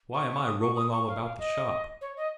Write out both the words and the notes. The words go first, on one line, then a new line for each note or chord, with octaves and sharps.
Why am I rolling all about the shop?
C#6
C#6
D#6
C#6
D#6
C#6
F5
F5
D#5
C#5
D#5